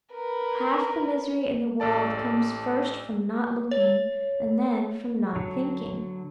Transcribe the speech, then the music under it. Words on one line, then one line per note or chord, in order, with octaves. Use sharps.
Half the misery in the world comes first from not looking, and then from not thinking.
A#4 B4
A1 A4 D5 A5
C#5
D3 F#3